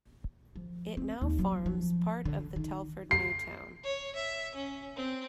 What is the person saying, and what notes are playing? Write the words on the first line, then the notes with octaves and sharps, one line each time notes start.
It now forms part of the Telford new town.
F3
C4
D#2
F#3
F3
D3
D#3
C7
C#5
E5
C#4
C4